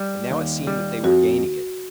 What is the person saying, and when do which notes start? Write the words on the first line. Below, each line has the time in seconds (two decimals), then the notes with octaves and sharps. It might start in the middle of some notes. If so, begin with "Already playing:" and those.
And now it seemed that they were gaining it.
Already playing: G3
0.31 D#2
0.67 G3
1.04 F2 F#4